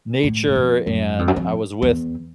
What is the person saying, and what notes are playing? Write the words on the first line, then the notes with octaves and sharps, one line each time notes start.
nature and I was with,
A2
E2
F2
F#2
F2
F#2
F2
E2